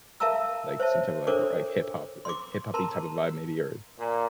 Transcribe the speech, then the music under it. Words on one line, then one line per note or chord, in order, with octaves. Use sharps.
like, some type of, like, r like, hip-hop, like, hip-hop-y type of vibe, maybe, or
A#4 E5 F5 A5 A#5 E6
C5 C#5 E5 A5
D4 A4 A#4 C5 C#5 D6
C6 D6
A#4 A5 A#5 C6
A#2